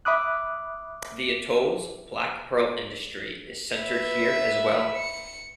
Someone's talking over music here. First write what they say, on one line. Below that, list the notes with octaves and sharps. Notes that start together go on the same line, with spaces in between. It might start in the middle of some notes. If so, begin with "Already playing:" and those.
The atoll's black pearl industry is centered here as well.
E5 B5 D6 D#6 F#6
B4 E5
C#7